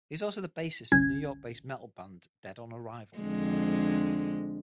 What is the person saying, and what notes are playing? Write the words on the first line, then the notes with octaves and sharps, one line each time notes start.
He is also the bassist of the New York-based metal band Dead on Arrival.
G1 C2 C#4 G#6
F2 D3 G#3